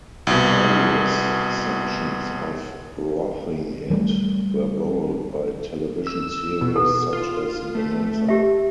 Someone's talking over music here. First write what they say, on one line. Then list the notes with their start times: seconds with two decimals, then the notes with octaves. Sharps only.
Various sections of "Roughing It" were borrowed by television series such as "Bonanza".
0.27 C2 B2
3.90 E3 G3 A3
6.07 E6
6.61 B2
6.76 A4
7.13 F4
7.75 A3
8.28 G4 E5